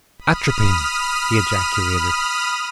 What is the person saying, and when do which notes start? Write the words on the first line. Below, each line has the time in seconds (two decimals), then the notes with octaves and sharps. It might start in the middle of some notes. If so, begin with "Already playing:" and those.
"Atropin!" he ejaculated.
0.18 B5 D#6 F6